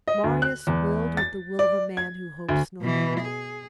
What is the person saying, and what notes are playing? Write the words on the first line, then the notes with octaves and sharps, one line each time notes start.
Marius willed with the will of a man who hopes no more.
D#5
D2
F#6
E2
A6
D5
G#6
D2
B2 E3
G#4